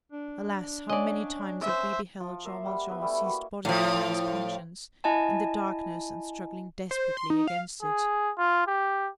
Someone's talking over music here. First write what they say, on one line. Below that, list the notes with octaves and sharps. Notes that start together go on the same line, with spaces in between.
Alas! how many times have we beheld Jean Valjean seized bodily by his conscience, in the darkness, and struggling desperately against it!
D4
C#4 D5 D#5 F5
C5 E5
F3
A#3 E5 A#5 C6
G3 F#5
B3 E4 B4 E5
G3 A3 B3 G#5
A#3 F#4
A2 F3
E4 D#5 G#5 A5
C5
C6
D#4
F5
G#4
F4
G4